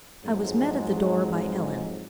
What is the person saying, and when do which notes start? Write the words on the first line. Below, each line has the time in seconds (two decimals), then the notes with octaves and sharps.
I was met at the door by Ellen.
0.24 F2 G#2 F#3 G#3